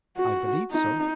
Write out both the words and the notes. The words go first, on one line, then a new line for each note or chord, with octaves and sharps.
"I believe so."
F#4
D#4